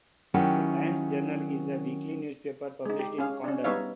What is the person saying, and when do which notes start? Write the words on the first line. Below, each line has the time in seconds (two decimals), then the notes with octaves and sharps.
"The Times-Journal" is a weekly newspaper published in Condon.
0.34 D#3 F#3 C#4 E4 G4 G5
2.85 G#3 D#4
2.99 G4
3.18 C#4 G#4 F5
3.44 C#4 D4
3.64 G3 B3 D#4 C#5 E5 F5